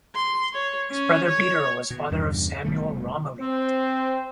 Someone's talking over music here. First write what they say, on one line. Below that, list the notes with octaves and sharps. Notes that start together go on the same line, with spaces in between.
His brother Peter was father of Samuel Romilly.
C6
C#5
C#4
C#5
B2
E2 G2 C3 G3
F1 B2 G3 A3
C4 C5